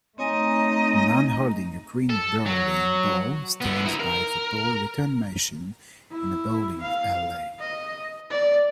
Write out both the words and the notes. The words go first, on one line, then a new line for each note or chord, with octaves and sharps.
A man holding a green bowling ball stands by the ball return machine in a bowling alley.
A3 C4 D#4 C#5 D#5 G#5
A4
F#3
D3 B3
D#4 E4
A#4
E4
F5
D#5
D5